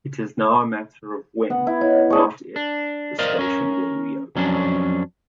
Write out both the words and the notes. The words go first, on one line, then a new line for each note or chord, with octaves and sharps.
It is now a matter of when, not if, the station will reopen.
B3 F#5
E4
E4 C#5 D#5
D4 G#4 C#6
D4
A#4 C5 D5 D#5 F5
C#4 A#4
F2 F#3 C#4 D4